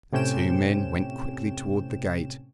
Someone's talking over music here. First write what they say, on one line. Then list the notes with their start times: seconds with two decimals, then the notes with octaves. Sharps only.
The two men went quickly towards the gate.
0.13 A2 C3 C#4 G5 E7